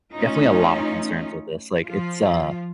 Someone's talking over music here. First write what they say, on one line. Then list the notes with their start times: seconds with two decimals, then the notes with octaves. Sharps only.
definitely a lotta concerns with this, like, it's, uh,
0.13 E3 A3 C#4 D#4 F4
1.86 F3 F4